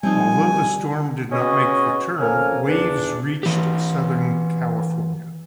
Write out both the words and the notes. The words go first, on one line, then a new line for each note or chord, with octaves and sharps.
Although the storm did not make the turn, waves reached southern California.
F3 G3 C4 D#4 G#5
G#3 B3 C#4 F#4 C#5 D#5
F2 A#3 C#4 A#4 G#5 F6
E2 D4
E3 G4